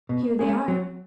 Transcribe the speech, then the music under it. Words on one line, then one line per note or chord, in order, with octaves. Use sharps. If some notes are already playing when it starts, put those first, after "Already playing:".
"Here they are."
B2
G#3 C#4 G#4
F#3